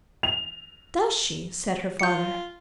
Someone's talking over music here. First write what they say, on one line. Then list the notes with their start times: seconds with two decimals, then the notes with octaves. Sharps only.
'Does she?' said her father.
0.23 F7
1.99 F4 G6 C#7